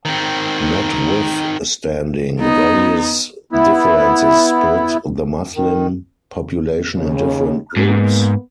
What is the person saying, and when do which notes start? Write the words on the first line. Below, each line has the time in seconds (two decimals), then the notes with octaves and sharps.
Notwithstanding, various differences split the Muslim population in different groups.
0.05 D#3 C4
2.40 B3 D#4
3.52 B3 E4
5.56 D#3
6.96 D#2 C#3
7.77 G#2 A#3 B3